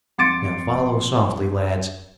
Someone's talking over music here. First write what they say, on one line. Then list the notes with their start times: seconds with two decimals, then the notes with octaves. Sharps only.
Now follow softly, lads!
0.18 F2 C6 D6 A6 C#7 D7